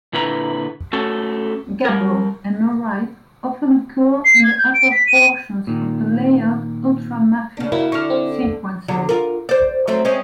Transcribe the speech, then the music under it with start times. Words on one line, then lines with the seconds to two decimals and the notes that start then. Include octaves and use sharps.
Gabbro and norite often occur in the upper portions of the layered ultramafic sequences.
0.13 A#2 D3 E4 B4 A#5
0.93 A3 C#4 F#4 A4
1.85 G3 A#4
4.25 C7
4.43 G#6
4.59 G6
4.74 D7
4.91 B6
5.07 D#7
5.67 A#2 D#3
7.57 C#3 D4
7.72 C#3 A#3 E4 F#4
7.92 D3 D4 C#6 F6
8.10 C4
8.88 E2 D3 F#3
9.09 F4 A#4
9.49 C5 D5
9.88 F#3 A3 C4
10.05 G#3 C4 C#4